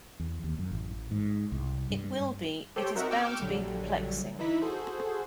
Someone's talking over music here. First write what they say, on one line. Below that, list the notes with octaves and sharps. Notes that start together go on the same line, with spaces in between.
It will be — it is bound to be perplexing.
E2
D#2
F#2
A1
G#2
C2
G2
G4 A4 C5 C#5 G5
C4 D#4 F#4 A#4 E5 F#5
G5 C#6 D6 E6 F6 G6
A#1 D3 F#3 G3
E3 D#4 E4 B6
F#4 G#4 A4 C5